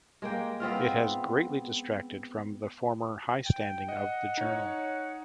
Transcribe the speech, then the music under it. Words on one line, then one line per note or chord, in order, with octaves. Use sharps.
It has greatly detracted from the former high standing of the journal.
G#3 A#3 G5
B3 C4 F4 F5
G5
D#5 F#5
D#4 C#5